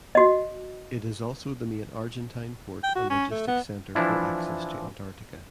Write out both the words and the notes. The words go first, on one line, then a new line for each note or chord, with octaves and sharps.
It is also the main Argentine port and logistics center for access to Antarctica.
F#4 D#5
G5
F#4
C#4
A3
B3
E3 F3 D4 E4